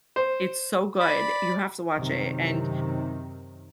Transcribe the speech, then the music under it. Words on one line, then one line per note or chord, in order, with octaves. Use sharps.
It's so good, you have to watch it and
C5
D5 B5
F#2 C3 D#3